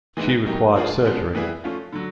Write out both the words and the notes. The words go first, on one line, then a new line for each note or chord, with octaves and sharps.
She required surgery.
E3 G#3 B3 D#4
F#3 A#3 D#4 G4
F3 A#3 D4 F4 G#4
C#3 F3 G#3 B3
E3 G3 B3 E4 G#4
F3 A3 C#4 F4
D3 F#3